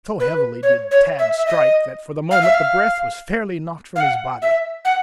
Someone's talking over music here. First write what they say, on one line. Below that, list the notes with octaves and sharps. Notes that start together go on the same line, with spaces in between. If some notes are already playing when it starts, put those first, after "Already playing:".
So heavily did Tad strike that, for the moment, the breath was fairly knocked from his body.
B4
C#5
C#5
E5
E5
D#5
F5
E5
F5
F5
F#5
E5
F#5